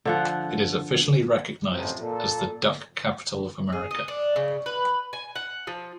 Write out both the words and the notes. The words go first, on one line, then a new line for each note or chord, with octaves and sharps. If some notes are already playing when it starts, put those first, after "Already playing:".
It is officially recognized as the Duck Capital of America.
D3 F3 F#5
A1 F2 C3 F3 F#3
A#2 A4
G#4
D#5
D4
C#3
B4
G#5
F#5
F3